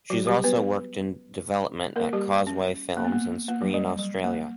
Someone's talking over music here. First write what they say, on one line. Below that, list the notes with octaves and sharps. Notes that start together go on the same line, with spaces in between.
She has also worked in development at Causeway Films and Screen Australia.
F#3 F#4
G3 G4
B3 B4
A#3 A#4
G3 G4
C#4
A#3
B3
A#3
A#3
F#3
G3
G3
A#3